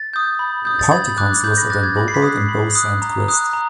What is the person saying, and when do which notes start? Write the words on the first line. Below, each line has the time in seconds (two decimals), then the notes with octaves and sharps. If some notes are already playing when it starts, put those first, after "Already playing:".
Party councilors are Dan Boberg and Bo Sandquist.
Already playing: A6
0.13 D#6 G6
0.39 B5
0.65 D#6 G6
0.79 A6
0.91 B5 G#6
1.18 D6 F#6
1.44 B5 G6
1.58 A#6
1.70 D6 F#6 A6
1.83 G#6
1.97 B5
2.08 C7
2.14 B6
2.22 D#6 F#6
2.48 B5
2.75 D#6 F#6
3.02 A#5
3.28 D#6 F#6
3.53 A#5